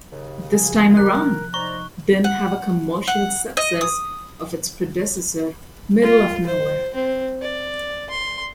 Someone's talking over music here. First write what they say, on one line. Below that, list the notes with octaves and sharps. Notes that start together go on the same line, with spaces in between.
"This Time Around" didn't have the commercial success of its predecessor "Middle of Nowhere".
D#2 C#3
C3 F3 G#4
A#4 F#6
D#4 C5 D5 A#5 C#6
F#5
F#5
D#5
D#6
F4
C5
C4
D5
C6